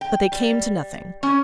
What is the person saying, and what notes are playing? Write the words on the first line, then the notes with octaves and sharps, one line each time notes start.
But they came to nothing.
G5
G3
C#4